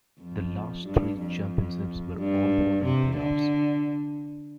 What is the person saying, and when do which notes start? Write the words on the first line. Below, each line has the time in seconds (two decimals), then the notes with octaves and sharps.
The last three championships were all won in playoffs.
0.21 F2
0.86 G2
1.19 F2
2.18 G2
2.84 C3
3.17 D3